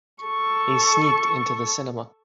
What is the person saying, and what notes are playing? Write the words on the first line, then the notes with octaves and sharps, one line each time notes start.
They sneaked into the cinema.
A4 C#6